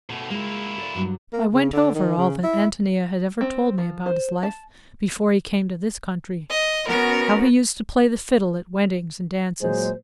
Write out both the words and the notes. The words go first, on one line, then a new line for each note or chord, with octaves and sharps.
I went over all that Antonia had ever told me about his life before he came to this country; how he used to play the fiddle at weddings and dances.
B2 A3
G#3 A#3 E4 F4
A4 D5
G2 F#3 D4
A#3
C#3
D3
D#3
C#3
E4
C4
F3
C5
A5
D#5
B3 C#4 F#4 A#4
A#2 F#3 G#3 C5